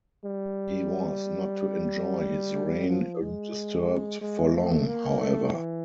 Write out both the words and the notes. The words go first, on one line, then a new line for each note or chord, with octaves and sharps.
He was not to enjoy his reign undisturbed for long, however.
G3
F3
G#3
G#3
A3
A#3
A3
E3